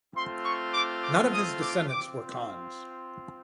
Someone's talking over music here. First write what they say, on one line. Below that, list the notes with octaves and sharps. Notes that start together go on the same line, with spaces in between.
None of his descendants were khans.
A3 C4 F4 C6
C#6
D6
D6
D#6
D6
C4 F4 D6